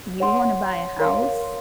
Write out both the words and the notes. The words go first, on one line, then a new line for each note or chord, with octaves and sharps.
you wanna buy a house,
C#5 F#5 C6
A#4 C#5 F5 C6